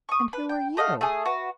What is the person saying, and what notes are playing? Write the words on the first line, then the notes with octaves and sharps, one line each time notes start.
"And who are you?"
C#6 D#6
B4
G5
A3 D#5 F5 F#5
A3 G#4
F#4 B4